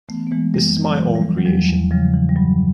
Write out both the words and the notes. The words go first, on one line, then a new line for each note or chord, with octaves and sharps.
This is my own creation.
E3 A3 B3
B3
E3 G#3 A#3
F#2 G3 A3
E3
F#3 G#3
E3
F3 G3
E3
F#3
E2 F3 G3
E2
C#3 F3 G3
E3
G3
G2 F#3